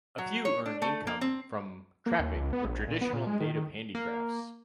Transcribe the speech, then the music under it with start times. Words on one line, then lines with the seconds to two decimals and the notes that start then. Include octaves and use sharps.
A few earn income from trapping or traditional Native handicrafts.
0.18 F#3
0.45 C#5
0.66 D4
0.82 A3
1.07 A#3
1.21 C4
2.06 A#3
2.19 D#2
2.35 C#2
2.53 B3
2.65 A#1
2.88 A#2
3.01 B3
3.13 A#2
3.27 G#3
3.41 D#3
3.54 D#3
3.95 A#3